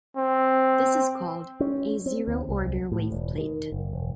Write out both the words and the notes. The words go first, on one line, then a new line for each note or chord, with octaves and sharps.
This is called a "zero-order waveplate".
C4
C#4
C4
D#2
C2
A2
E1
D#3
F#1
E1